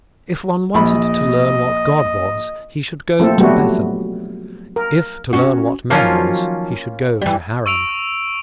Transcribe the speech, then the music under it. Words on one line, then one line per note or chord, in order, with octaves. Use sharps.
If one wanted to learn what God was, he should go to Bethel; if to learn what man was, he should go to Haran.
A#1 D#5 B5
F3 A3 A#3 C4 A4
F#3 G3 A3 B3 F#4
A#4
C#4 F#4
D#3 F3 F#3 A#3 C#4 F4
E3 G3
C#6 E6 D7 F7